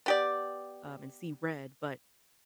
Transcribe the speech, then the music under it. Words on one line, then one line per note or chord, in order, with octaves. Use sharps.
um, and see red, but
B3 G4 D5